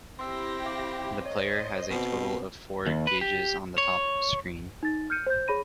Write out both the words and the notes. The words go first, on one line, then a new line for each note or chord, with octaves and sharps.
The player has a total of four gauges on the top screen.
C4 E4 G4 C6 E6 A#6
F5 D6
C5 C#5 D#5
B2 C4
D#2
B4
G4
C#5
D#4 A6
F6 G6 C#7 D#7
C5 G6
G#4 C#5 B5 A#6 D#7